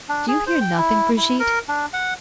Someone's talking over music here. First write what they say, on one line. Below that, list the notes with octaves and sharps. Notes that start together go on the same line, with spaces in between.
Do you hear nothing, Brigitte?
D4
G#4
C5
G5
E4
E4
A#4
D4
F#5